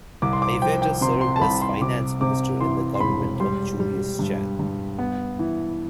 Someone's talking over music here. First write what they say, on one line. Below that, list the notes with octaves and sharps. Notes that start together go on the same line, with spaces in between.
Haiveta served as finance minister in the government of Julius Chan.
C2 D6
C6
D6
F3 G5
G5
C3 C6
C6
A5
C2 B5
C6
C3 D6
C3 D6
E3 C6
C6
E1 B5
G3 C6
G3
G2
G2
B3
E3